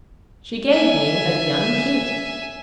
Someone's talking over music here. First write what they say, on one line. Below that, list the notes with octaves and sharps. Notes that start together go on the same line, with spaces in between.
'She gave me a young kid.'
E5 G#5